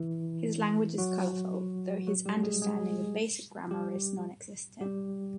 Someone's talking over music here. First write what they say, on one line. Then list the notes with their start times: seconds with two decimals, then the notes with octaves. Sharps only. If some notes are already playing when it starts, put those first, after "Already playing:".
His language is colourful though his understanding of basic grammar is non-existent.
Already playing: E3 E4
0.98 F#3 F#4
2.07 F#3 F#4
2.26 G3 G4
2.43 G#3 G#4
2.62 G#3 G#4
3.71 G3 G4
4.81 G3 G4